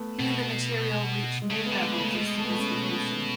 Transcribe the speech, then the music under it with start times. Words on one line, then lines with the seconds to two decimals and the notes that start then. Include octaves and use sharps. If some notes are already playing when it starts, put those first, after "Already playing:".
Here the material reached new levels of sophistication.
Already playing: A3 B3
0.20 B2
1.42 G#3
1.50 C#3 A3
1.66 B3
1.71 D3
1.83 G#3
1.93 C#3
1.99 A3
2.15 B2 G#3
2.37 A3
2.44 B3
2.51 A3
2.59 C#4